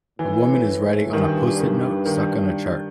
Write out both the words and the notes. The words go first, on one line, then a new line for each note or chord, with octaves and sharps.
A woman is writing on a postit note stuck on a chart.
A2 E3
G2 D#3
D#3
D#3